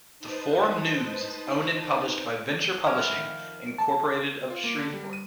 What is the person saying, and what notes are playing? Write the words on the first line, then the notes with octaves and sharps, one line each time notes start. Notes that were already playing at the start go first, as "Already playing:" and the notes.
"The Forum News" is owned and published by Venture Publishing, Incorporated of Shreveport.
D#4 B4 C5 A5 D#6
F#2 E4 G#5 F6
F2 D#3
A5
F4
A#3
D3
G3
D#7